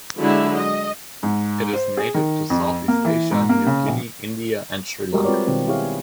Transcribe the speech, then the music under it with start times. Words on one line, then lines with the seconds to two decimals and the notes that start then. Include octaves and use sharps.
It is native to Southeast Asia, New Guinea, India, and Sri Lanka.
0.18 D3 F#3 G#3 E4
0.55 D#5
1.23 G#2
1.73 C5
1.97 G#4
2.14 D#3
2.50 F2
2.88 A#3
3.05 E3
3.31 G#2
3.49 A#3
3.66 C#3
3.87 A#1
5.13 G3 G#3 F#4 G4 A#4
5.24 C4 F4 B4 C#5 D5
5.47 B2 D#3 C4 F4
5.68 E4 G4 G#4 C#5 F5